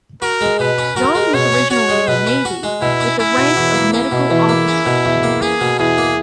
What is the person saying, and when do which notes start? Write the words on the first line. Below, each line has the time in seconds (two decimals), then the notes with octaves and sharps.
John was originally in the navy, with the rank of medical officer.
0.22 F#4 A#4
0.41 G#3
0.59 B2 B4
0.78 C#4
0.96 F#4 A#4
1.15 G#3
1.33 B2 C#5
1.52 C#4
1.70 F#4 C#5
1.89 G#3
2.07 B2 B4
2.26 C#4
2.45 F#4
2.63 G#3
2.82 B2 E4
3.00 C#4
3.19 C#4 E4
3.37 B2
3.56 E2
3.74 A#3
3.93 C#4 E4
4.12 B2
4.31 E2
4.49 A#3
4.68 C#4
4.86 B2
5.05 E2
5.23 A#3
5.42 C#4 G#4
5.61 B2
5.79 E2 G#4
5.98 A#3